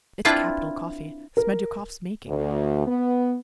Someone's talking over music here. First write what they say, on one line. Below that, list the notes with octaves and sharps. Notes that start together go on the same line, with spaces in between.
It's capital coffee: Smerdyakov's making.
C4 D4 E4 F4 B4
A#4
D2
B3